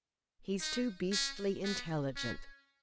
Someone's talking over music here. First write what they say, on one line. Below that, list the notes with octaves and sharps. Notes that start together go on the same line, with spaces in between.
He's too beastly intelligent.
D#4
C#4
B3
C#4